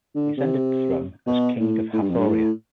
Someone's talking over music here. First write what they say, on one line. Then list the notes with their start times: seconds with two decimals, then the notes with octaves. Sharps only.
He ascended the throne as the King of Hathoria.
0.15 D3
0.38 C3
1.27 B2
1.60 A2
1.93 A2
2.01 G2
2.10 F2
2.18 G2
2.27 A2